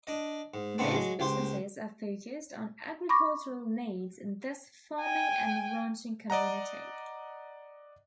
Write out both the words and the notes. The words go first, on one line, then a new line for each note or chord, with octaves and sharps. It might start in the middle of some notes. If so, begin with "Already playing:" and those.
Most businesses are focused on agricultural needs in this farming and ranching community.
D4 D#5
G#2
A2 C#3 A3 B3 C4 D4
F#3 G#3
C#2 G4 C5 C6
B5 C#6 D6 A#6
G5 G#5
D5 D#5 F#5 A#5